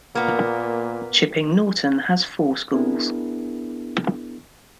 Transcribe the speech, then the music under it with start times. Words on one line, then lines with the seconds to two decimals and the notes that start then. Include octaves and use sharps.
Chipping Norton has four schools.
0.15 A#2 A#3 B3
2.73 B3 D4 E4 G#4 A#4